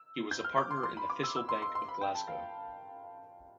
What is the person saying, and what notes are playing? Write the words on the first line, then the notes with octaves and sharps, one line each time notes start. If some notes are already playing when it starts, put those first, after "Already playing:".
He was a partner in the Thistle Bank of Glasgow.
Already playing: E6
G6
F6
D6
C6
C6
B5
D6
E6
E6
C6
C6
C6
B5
G5
A5
F5